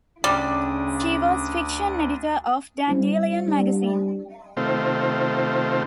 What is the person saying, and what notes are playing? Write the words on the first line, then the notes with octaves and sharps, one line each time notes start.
She was fiction editor of "Dandelion" magazine.
D2 C#3 G3 D4 D6 D#6
G3 C4 E4
G3 D4
C3 D#3 A3 C4 F4